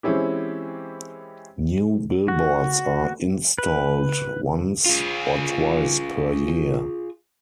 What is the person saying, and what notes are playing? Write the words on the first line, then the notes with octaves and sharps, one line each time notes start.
New Billboards are installed once or twice per year.
E3 G#3 C4 C#4 E4 G4
F#4
B4
F4 G#4